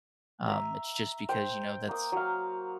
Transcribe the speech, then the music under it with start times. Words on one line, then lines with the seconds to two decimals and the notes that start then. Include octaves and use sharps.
Um, it's just because, you know, that's
0.48 E5 A#5
1.29 C5 G5
1.89 A#3 D#6
2.12 F#3 F5